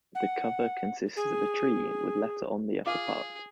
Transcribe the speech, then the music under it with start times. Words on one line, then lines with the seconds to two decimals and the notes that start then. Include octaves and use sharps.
The cover consists of a tree with letter on the upper part.
0.15 F#5
1.17 G#4
2.86 F4 G#4 D6